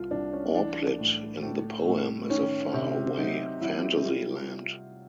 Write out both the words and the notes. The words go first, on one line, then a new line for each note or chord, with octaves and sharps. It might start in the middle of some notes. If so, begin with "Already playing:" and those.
Orplid in the poem is a faraway fantasy land.
Already playing: C2 F4
C2 D4
C#4
E3 D4
A2
A2
A2
D#3 C#4
C3
F#3 D#4
F#3 E4
G3 F4